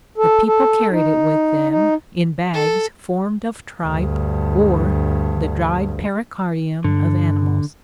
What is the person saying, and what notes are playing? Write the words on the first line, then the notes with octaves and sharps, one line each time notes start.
The people carried it with them in bags formed of tripe or the dried pericardium of animals.
A4
A4
D#4
D#4
A4
D2 G2
G2 D3